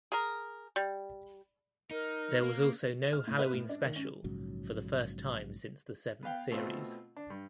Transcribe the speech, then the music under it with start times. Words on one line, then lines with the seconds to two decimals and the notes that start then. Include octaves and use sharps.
There was also no Halloween Special for the first time since the seventh series.
0.12 G#4 A#4
0.76 G3
1.91 D#4 A#4
2.43 A#3
3.13 F6
3.27 A2
3.39 B4
3.53 A2
3.69 D4
3.83 D#3
3.96 C#4
4.24 A#1 G#2 C#3 F#3
6.23 B3 B4 F5 G5
6.51 B2 A3 C4 F4
7.17 D4
7.30 G2